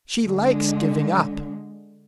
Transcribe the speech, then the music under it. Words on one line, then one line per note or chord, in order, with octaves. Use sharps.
"She likes giving up."
D3 G#3